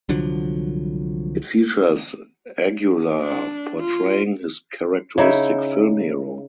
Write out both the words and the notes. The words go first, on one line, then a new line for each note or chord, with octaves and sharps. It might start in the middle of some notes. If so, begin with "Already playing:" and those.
It features Aguilar portraying his characteristic film hero.
C2 D3 F3 F#3
D4
F4
C#3 D#4 E4